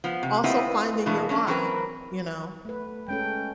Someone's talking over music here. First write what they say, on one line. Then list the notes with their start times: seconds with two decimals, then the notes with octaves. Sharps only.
Also finding your "why," you know?
0.04 F3 B3
0.23 C3
0.44 B3 C4 E4 F4 G4 D#5
1.06 B2 E3 A#3 D4
1.29 F#3 C#4 D4
1.47 E3 F#3 C4 A#4 B4
2.65 A3 B4
3.08 G#3 C#4 A4 G5